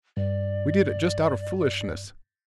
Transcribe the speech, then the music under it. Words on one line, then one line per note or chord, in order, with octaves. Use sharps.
We did it just out of foolishness.
G2 D5